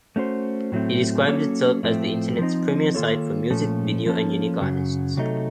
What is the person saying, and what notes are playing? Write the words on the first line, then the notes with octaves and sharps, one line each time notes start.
It describes itself as "the Internet's premier site for music, video and unique artists".
A3 C#4 F#4 C5
A2 F#3 A3 C4
F#3 A#3 C#4 A4 C#5
A2 F3 A3 C4
F3 C4 D#4
D#3 A#3 F4 A4 C#5
A#2 F3 A3 C#4 A4
F3 A#3 C#4 A4
F#2 C#3 F#3
C3 F#3 A3 D#4 A4